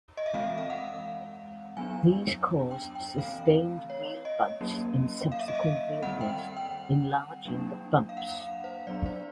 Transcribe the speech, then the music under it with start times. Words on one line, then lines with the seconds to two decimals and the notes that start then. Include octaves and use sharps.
These cause sustained wheel bounce in subsequent vehicles, enlarging the bumps.
0.17 D#5
0.26 E5
0.34 E3 G#3 C4 F5
0.58 F5
0.70 F#5
1.77 F#3 B3 D4 G#5
2.71 G5
2.95 G5
3.18 E3 A3 C4 F5
3.90 C#5
4.25 D#5
4.61 F#3 A#3 C#4
5.32 F5
5.39 E5
5.48 D#5
5.55 E5
6.02 D#3 G3 C4 F#5
6.21 G5
6.38 F#5
6.57 G5
7.45 F#3 A#3 D4
8.09 F5
8.17 F#5
8.40 F5
8.64 C5
8.87 F#3 B3 D4 D5
9.06 C5